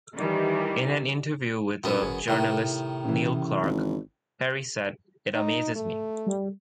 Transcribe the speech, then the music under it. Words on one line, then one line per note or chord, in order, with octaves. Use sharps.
In an interview with the journalist Neil Clark, Perry said: It amazes me.
D#3 E3 G3
F#2 A#2 B3
G1 G#4
A2 C3 D#3
C#3 E3
G#1
D#4
A3
G3